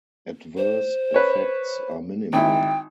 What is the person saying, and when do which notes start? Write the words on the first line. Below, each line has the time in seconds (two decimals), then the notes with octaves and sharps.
Adverse effects are minimal.
0.57 C5
1.14 B4 C#5
2.33 G#1 E4 G5